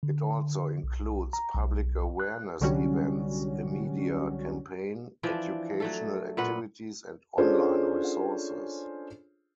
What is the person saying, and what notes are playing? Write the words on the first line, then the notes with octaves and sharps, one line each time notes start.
It also includes public awareness events, a media campaign, educational activities and online resources.
D3
B1
A#5
B1
F#6
C2 D3 F#3 G3 C#4 F#4
E3 F3 D4
F#3 A3 A4
A#2 B4 F#5
C#4 D4 F4 G#4 A4 C5